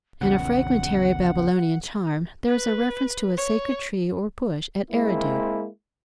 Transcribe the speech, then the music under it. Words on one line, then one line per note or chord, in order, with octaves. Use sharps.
In a fragmentary Babylonian charm there is a reference to a sacred tree or bush at Eridu.
A#1 E2 C#3 F#5
B4
C#5
G#3 A#3 C4 E4